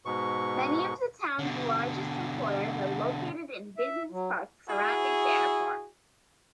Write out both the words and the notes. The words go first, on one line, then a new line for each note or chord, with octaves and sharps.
Many of the town's largest employers are located in business parks surrounding the airport.
G#2 B2 C#6
B2 D3
E5
F#3
E4 F#4 G#4